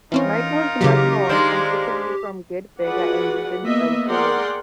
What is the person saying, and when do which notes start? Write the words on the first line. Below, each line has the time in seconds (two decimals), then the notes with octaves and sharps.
Michael Schumacher won comfortably from Gerhard Berger and Rubens Barrichello.
0.12 E3 C4 C#4 D#4 F4 A#4
0.81 C#3 E3 F#3 G4
1.29 D#3 G#3 D4 C5
2.81 F4 F#4 G#4 B4 D5 F#5
3.63 A#3 B3 D#5 E5
4.08 G#4 A#4 D5 F#5 G5 C6